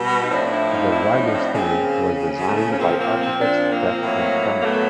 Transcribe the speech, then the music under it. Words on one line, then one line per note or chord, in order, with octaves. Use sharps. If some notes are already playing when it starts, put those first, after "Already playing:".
The Ryder Stand was designed by architects Peck and Kemter.
Already playing: B2 G3
D#4
A2 F3 C4 D4
D4 E4
D#4 F4
D4 E4
C#4 D#4
D#4
C4 D4
C#3 F3 A#3 C4
A3 B3
C#4
A#2 F3 A#3 C4
A#3 C4
A#3 C4
C4 D4
A#3 C4
A2 F#3
A#3
A3 B3